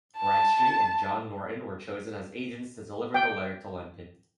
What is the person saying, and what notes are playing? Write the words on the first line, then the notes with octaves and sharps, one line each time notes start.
Bradstreet and John Norton were chosen as agents to deliver the letter to London.
A5
G5